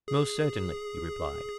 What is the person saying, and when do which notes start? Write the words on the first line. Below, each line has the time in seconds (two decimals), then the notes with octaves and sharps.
Most certainly, he replied.
0.08 G#4